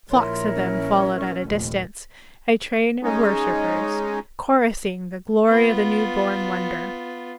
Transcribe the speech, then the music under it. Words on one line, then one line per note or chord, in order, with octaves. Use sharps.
Flocks of them followed at a distance, a train of worshipers, chorusing the glory of the new-born wonder.
A#1 E4 A#4 C#5 C6
C#4
F1 D#2 A#2
G#3 C#4 D#4
B3 F4